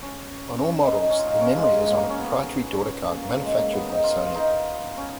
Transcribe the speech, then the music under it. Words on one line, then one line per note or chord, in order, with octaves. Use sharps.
On all models, the memory is on a proprietary daughtercard manufactured by Sony.
C#4
C#4
D#4
D#4
C#4
F4
D#4
C#4
G#3
G#3
A#3
C#4
B3
C#4
A#3
G#3
A#3
B3
D#4
F4
F4
D#4
C#4